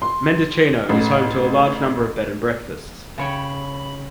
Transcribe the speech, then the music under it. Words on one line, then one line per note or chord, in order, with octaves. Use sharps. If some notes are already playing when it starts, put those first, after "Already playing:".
Mendocino is home to a large number of bed and breakfasts.
C6
A1
C#3 C#5 G5 B5